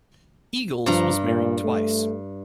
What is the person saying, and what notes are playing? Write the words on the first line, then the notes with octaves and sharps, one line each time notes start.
Eagels was married twice.
G2 F3 A#5
A#2
A3